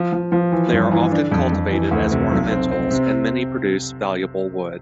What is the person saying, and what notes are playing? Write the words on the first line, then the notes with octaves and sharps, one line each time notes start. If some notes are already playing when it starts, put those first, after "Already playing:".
They are often cultivated as ornamentals and many produce valuable wood.
Already playing: F3
F3
F3
E3
G2
E3
D4
F2
F2
E3
D2
C3
B1
C4
C4
C3